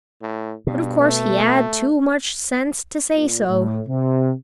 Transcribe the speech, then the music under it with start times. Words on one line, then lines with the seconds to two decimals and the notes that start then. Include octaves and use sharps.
But of course he had too much sense to say so.
0.22 A2
0.67 G2 B2
1.01 A3
3.15 A#2
3.48 A2
3.87 C3